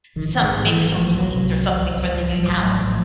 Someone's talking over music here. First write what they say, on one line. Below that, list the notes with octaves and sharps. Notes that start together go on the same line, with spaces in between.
some maybe some plates, or something for the new house, or
A1 D#3
A1 E3
D#3
G#2
A1 E3
G#2
F3
A1
C#2 F#3
C3
C#2
C#2
C#2
C#2
A1 F3
A1
F#3
A2
A1 F#3
A2
F3